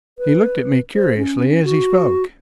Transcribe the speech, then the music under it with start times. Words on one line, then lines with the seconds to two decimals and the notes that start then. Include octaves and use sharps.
He looked at me curiously as he spoke.
0.19 B4
0.96 C5
1.17 C#4
1.65 F#4